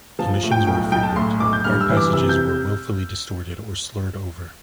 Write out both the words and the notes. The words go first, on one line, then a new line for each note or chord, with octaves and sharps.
Omissions were frequent; hard passages were willfully distorted or slurred over.
F3 A5
A2
G5
B1 G5
B1 G5
A5
A2 C6
B1 D6
G6
G2 F6
E6
E3
D6
C3 E6
G6